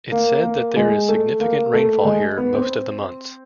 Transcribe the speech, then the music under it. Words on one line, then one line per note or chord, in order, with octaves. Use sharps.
It said that there is significant rainfall here most of the months.
A#3
A#3
G#3
A3
A#3
A3
G#3
B3
C4